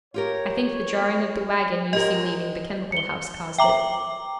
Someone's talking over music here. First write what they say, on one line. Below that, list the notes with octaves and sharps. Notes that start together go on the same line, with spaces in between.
I think the jarring of the wagon you see leaving the chemical house caused it.'
F4 G4 A#4 C#5
F#3 G#3 F4 G4 A#4 D#5
C#7 G7
E5 G5 A#5 D6 F#7